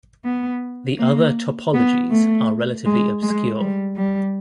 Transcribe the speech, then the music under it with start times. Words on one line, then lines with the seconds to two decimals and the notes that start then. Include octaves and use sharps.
The other topologies are relatively obscure.
0.25 B3
0.98 A#3
1.74 B3
2.10 A3
2.86 G#3
3.22 G#3
3.60 G3
3.96 G3